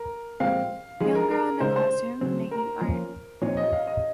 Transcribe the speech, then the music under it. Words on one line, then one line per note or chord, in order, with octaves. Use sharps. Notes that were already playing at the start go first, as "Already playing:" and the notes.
Young girl in a classroom, making art.
Already playing: A#4
A#2 F3 G#3 C4 F5
F3 G#3 D#4 G#4
A#4
A#4
C#3 G#3 D#4 C5
C5
C#3 F#3 C4
A#4
F3 A#3 C#4
A#2 F3 C4 D#4 C#5
D#5
F5
D#5